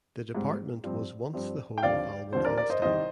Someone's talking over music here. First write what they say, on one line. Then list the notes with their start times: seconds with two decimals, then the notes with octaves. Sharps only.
The department was once the home of Albert Einstein.
0.35 G#2 G3 C4
0.84 G2 F3 C4
1.33 G2 F3 C4
1.78 G5
1.83 D#2 D3 F3 C4 D5 F5
2.32 D#2 D3 F3 C4 C5
2.45 A#4 D5
2.57 A#4 D5
2.70 C5 D#5
2.82 C2 C3 D#3 C5 D#5